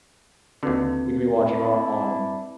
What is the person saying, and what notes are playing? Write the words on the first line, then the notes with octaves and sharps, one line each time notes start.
We could be watching our on
D#2 D3 C4 B4
D4 E4